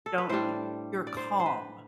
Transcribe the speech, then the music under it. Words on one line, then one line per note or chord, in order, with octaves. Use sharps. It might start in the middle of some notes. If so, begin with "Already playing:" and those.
don't y y you're calm.
A4
B4
A2 G3 D4 C5
D5
C5
C5
B4